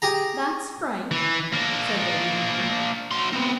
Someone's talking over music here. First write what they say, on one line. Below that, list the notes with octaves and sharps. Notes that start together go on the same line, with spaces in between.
"That's frank," said Lady Henry.
G4 G#4 A#5
E3
A#3 D4
F#3 C6
B3 C4